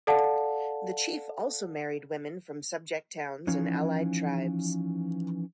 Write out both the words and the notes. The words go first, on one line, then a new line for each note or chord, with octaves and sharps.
The chief also married women from subject towns and allied tribes.
A4 D5 F5 F#5 A5
E3 F3 C#4 D#4 F4